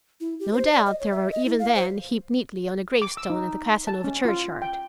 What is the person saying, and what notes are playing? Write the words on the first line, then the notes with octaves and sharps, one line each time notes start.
No doubt they were even then heaped neatly on a gravestone in the Casanova churchyard!
E4
G4
C5
D5
D#5
C#5
E5
D#5
E4
F5
C5
D6
E6
D#4
A5
C#4
F4
G5